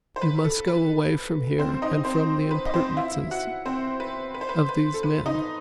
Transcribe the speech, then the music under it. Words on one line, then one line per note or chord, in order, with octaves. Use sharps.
You must go away from here and from the impertinences of these men.
C5
B4
A4
B4
C4 C5
D#4 D#5
C4 C5
B4
D#5
C4 C5
E4 E5
F#4 F#5
C4 C5
B4
B4
C5
B4
B4
A4
B4
D#4 D#5